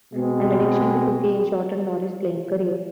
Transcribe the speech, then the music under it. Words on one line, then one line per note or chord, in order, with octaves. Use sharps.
An addiction to cocaine shortened Norris's playing career.
B2 G#3 C4